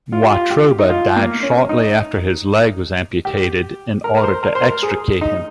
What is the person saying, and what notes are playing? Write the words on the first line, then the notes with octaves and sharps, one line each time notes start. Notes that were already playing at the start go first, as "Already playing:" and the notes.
Watroba died shortly after his leg was amputated in order to extricate him.
F4
G4
F4
G4
D#4
F4
A#3
C#4
D#4
G4
A#4
A#4
C5
A#4
C5
A#4
G#4
D#4